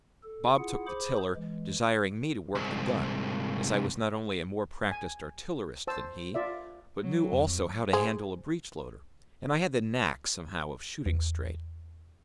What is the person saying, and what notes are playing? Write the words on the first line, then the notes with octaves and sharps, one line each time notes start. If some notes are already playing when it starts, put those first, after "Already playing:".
Bob took the tiller, desiring me to work the gun, as I was not only a more practised artillerist than he, but knew also how to handle a breech-loader, and I had the knack somehow of shooting straight.
A4
E4 F4 G#4 F#5
G#4 C5 B5 D6
E3 G#3
C2 G#2
G#5
C5 A5 E6
F4 D5 E5
F#3
F2
G#4 C5
E2